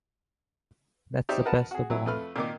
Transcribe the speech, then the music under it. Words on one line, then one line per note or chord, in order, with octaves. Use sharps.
That's the best of all.
D#4 G4 C5 D5 E5
A#4 B4 D#5 F#5 A5
F#4 G#4
F#3 E4
F2 A3 B4 F6
A#2 D#3 D6